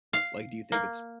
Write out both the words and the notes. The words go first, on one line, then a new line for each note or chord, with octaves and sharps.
Like, do you think it's
F5
A#3